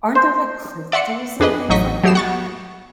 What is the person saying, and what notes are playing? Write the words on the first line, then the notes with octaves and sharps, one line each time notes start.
Aren't there, like, crystals and things like that?
C5
D5 E5 F#5 C6 C#7
F2 D4 G#4 B4 D#5
A1 F#3 D#4 D#5 C#6 B6
F#3 A3 G4 D#6 C7 E7
F#5 C#6 A6